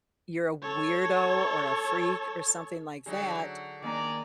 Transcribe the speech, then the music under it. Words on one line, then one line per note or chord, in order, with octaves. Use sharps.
you're a weirdo, or a freak, or something like that,
A4 C#5
D3 F#3 D#4 G#4
D#3 A#3 D4 D5 G#5 A#5